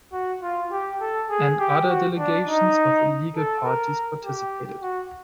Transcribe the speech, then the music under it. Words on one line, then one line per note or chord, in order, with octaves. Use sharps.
And other delegations of illegal parties participated.
F#4
F4
G4
A4
G#4
G4
F#4
D4
D#4
A4
A#4
G4
F#4